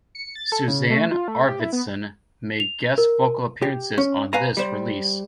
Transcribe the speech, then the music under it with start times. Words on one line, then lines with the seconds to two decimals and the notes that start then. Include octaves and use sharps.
Susanne Arvidsson made guest vocal appearances on this release.
0.15 C#7
0.35 A6
0.52 A4
0.68 C#3
0.90 A3
1.11 F4
1.28 A3
1.47 G4
1.60 E4
1.73 B3
2.60 F7
2.98 A#4
3.62 G4
3.98 C#4
4.33 B4 F5 G#5 A#5
4.57 G3 C5